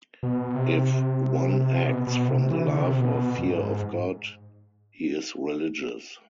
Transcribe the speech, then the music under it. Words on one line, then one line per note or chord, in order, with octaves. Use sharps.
If one acts from the love or fear of God, he is religious.
B2
C3
B2
B2
C3
E3
D3
C3
B2
B2
F2
G#2